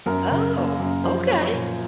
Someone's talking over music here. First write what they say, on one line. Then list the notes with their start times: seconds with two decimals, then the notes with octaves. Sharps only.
Oh, okay,
0.06 F#2 A#4
0.31 C#3
0.56 A#3
0.79 F#2
1.04 F3 C5
1.28 A#3 C#5
1.53 A#2